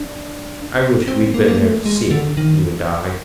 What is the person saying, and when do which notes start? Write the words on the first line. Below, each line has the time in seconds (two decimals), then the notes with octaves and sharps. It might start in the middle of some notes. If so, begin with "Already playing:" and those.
I wish we had been there to see it, you and I.
Already playing: D4
1.08 C4
1.34 A#3
1.48 A#3
1.60 A3
1.86 G#3
2.11 D3
2.37 D#3